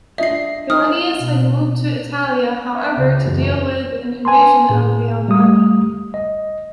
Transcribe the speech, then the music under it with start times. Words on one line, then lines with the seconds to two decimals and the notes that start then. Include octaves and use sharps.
Gallienus had moved to Italia, however, to deal with an invasion of the Alamanni.
0.18 D4 F4 D#5 E5 C7
0.70 D#4 D#6 F6
1.17 B2
2.75 E5 C#6 G#6 A#6 B6
2.96 C#2 C#3 A6
3.25 E1 F#2 F4 F#4 A6
3.42 D5 F5 G5 A#5 C#6
4.25 B4 G#5 A5 C6
4.69 A2 G#4
5.28 G3 A3 G4 D#6
6.14 D#5